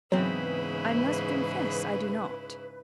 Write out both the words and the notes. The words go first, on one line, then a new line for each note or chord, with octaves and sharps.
"I must confess I do not."
E2 G#2 C#3 F#3 C4 E4 B4